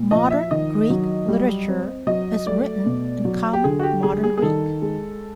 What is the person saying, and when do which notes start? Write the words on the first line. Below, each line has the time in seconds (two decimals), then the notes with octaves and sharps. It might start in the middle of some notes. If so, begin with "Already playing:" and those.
Modern Greek literature is written in common Modern Greek.
Already playing: A#2
0.11 F3 D#5
0.31 E5
0.51 D#3 D#5
0.90 F#3
1.28 G3
1.69 C4
2.07 F#3 D#5
2.46 A3 D5
2.86 B2
3.25 F#3
3.53 G4
3.64 D3 G#4
3.79 F#4
3.83 G4
4.03 G3 G#4
4.24 G#4
4.38 G#4
4.42 D#3 A4
4.82 G#3